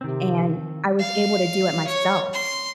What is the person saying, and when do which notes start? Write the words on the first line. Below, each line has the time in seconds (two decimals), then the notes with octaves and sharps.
and I was able to do it myself."
0.01 C3 D#3 C4
0.99 F5
1.88 C#5
2.33 C6